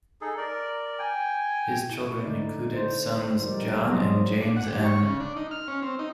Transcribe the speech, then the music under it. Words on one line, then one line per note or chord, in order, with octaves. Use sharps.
His children included sons John and James N.
D#4 G#4 A4
A#4 D5
G5 G#5
E4
D3 D#4 D5
C5
F3 G3 D#4 A#4 D5
D4
F3 F#3 F4 G#4 D5 D#5
D4
F#5
G4
C#5
C#3
D4
D#4
F6
C#4
C4
D#4